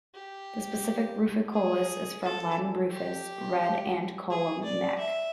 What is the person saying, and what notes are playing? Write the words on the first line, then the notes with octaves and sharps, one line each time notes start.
The specific "ruficollis" is from Latin "rufus", "red", and "collum", "neck".
G4
G#4
A4
G4
G#4
D5
E5